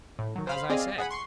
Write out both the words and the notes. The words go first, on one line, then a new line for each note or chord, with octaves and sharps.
"As I said."
A2
D#3 F#3
C5 F5 B5
C4 G#4 D5 D#5 F5
G#4 F#5 B5
C6 C#6 C7